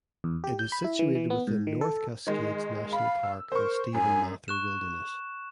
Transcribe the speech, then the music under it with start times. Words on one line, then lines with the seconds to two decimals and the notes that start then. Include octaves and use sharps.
It is situated within North Cascades National Park and Stephen Mather Wilderness.
0.24 E2
0.44 G4
0.59 G6
0.72 B5
0.84 E4
0.99 E3
1.15 E3
1.30 B3
1.47 G#2
1.67 D#3
1.81 A4
2.27 D#3 G#3
2.93 F5 B5
3.23 E6
3.52 A#4 C5 C#6
3.94 F#2 G#5
4.48 C#6 F#6 E7